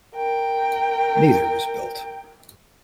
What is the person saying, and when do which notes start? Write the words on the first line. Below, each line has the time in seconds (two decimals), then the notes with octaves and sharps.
Neither was built.
0.16 A#4 G5